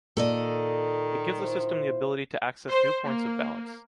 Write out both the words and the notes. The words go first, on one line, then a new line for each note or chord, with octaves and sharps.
It gives the system the ability to access new points of balance.
A#2 D#3 A4 D5 D#5
E4 F4 C5
C5
A#3